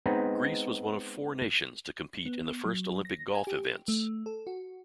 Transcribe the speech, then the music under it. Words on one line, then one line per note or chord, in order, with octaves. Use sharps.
Greece was one of four nations to compete in the first Olympic golf events.
G#3 B3 C4 D#4 B4
B3
F#3
A#6
G#5
G4
A3
A4
F#4